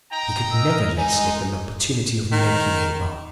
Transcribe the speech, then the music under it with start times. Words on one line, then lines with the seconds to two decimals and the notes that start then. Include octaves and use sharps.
He could never let slip an opportunity of making a bargain.
0.11 D#4 G5 A#5
0.50 A#4 D#5 E6
0.97 G#3 D#4 G#5
2.32 D#3